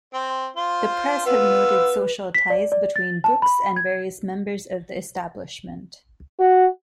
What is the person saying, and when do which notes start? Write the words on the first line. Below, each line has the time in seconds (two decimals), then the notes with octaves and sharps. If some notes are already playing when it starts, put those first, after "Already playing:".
The press have noted social ties between Brooks and various members of the Establishment.
0.14 C4 C5
0.56 F4 C5
1.26 B3 F4 B4 E6
2.35 B6
2.50 D5
2.72 D5
2.96 A6
3.24 A5
3.42 B5
3.76 G#6
6.40 F#4